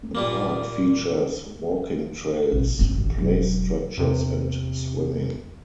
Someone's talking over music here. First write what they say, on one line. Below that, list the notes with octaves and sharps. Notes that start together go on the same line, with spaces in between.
The park features walking trails, play structures and swimming.
A#2 G3 A#3
A1 B2
F#1 C4
A1 D#3
E1 F#3
E2 C3